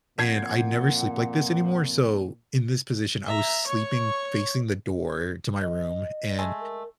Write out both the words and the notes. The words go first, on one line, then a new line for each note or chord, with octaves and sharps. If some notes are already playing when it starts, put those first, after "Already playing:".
and I never sleep like this anymore, so in this position, I was sleeping facing the door to my room, and
F2 A#2 F#5 G6 G#6 C7
E5 A#5
C#5 C#6
D#5
G#3 A3 G#5
A#4